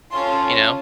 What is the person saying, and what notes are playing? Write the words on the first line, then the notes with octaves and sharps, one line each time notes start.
you know?
C#4 F4 A4 C6